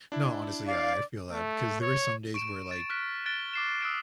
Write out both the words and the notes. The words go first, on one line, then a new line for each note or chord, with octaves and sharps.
No, honestly. Yeah, I I feel that because there is some days where, like,
D4 E4
D5 F5
A3
C#5
C#6 D7 E7
A6
F6 F#6 B6
F#6 A6 D7 G7
D6 C7 E7
D#6 E6 F#6 A6 D7 E7